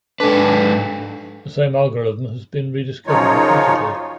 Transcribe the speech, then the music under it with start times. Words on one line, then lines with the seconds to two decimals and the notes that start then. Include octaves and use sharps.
The same algorithm has been rediscovered repeatedly.
0.20 G#2 D4 A4 B4 A5
3.07 F#2 C#3 F3 D#4 F4 C#5